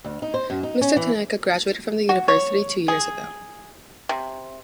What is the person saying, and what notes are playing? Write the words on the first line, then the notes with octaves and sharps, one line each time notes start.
Mr. Tanaka graduated from the university two years ago.
D2
D#4
C5
F#2
D#4
C#4
E3
F#4
C#5
G#4
C3